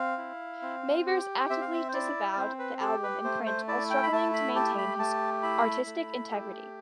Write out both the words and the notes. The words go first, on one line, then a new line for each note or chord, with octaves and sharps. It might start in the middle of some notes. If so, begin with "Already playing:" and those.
Mavers actively disavowed the album in print while struggling to maintain his artistic integrity.
Already playing: C4 F5
E4
C4
G4
C4 E5
F5
E5
C5
E4 D5
D5
C4 C5
B4
G4 A4
B4
A3 C5
C5
E4 D5
G5
B5
A3 A5
B5
G4 A5
B5
A3 A5
E4 B5
A3
G4